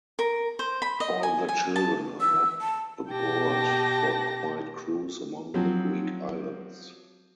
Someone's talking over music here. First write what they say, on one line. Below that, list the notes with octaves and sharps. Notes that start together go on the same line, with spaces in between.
All the children are aboard for a quiet cruise among the Greek islands.
A#4
C5
B5
D#5
G#5
G#5
A5
E6
A5
B2 G4 G5 A5 A#6
F3 F#3 C4